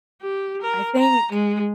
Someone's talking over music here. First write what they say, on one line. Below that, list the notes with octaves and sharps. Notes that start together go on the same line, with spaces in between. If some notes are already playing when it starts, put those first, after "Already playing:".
I think
G4
A#4
A#5
G#3